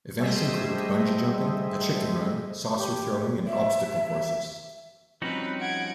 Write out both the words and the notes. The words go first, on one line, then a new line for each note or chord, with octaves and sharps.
Events include bungee jumping, a chicken run, saucer throwing, and obstacle courses.
G3 A3 G#4 C5 D#5 E5
G4
E5
F3 G3 C4 C#4 D#4 F#4 B4
F#5 G#6 D7